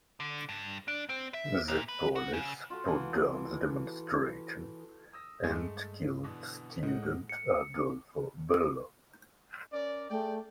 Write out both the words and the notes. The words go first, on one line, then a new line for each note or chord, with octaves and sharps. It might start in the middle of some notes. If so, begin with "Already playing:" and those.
The police put down the demonstration and killed student Adolfo Bello.
D3
G2
D4
C4
E5
A#2
B4
F#4
C#3
F4 F#4 A4
E3
D#6 E6 A#6
G2 G#3 A3
B2 D3 E3
A2 G#3 D#4 F#5
C#7
C#4 A#4 D5
A3 G#4 D5 G5